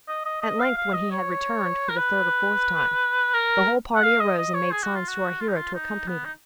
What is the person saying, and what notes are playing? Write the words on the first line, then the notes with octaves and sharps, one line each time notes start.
At length, when he had returned for the third or fourth time, the whole party arose and made signs to our hero to accompany them.
D#5
D#5
D#5
F5
F5
D#5
C#5
A#4
B4
A#4
F#5
F5
D#5
D#5
C#5
G#4
F#4
F4
F#4
F4
D#4
F4
D#4
B3
D#4